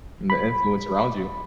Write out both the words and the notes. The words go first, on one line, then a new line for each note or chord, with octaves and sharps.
And the influence around you.
B5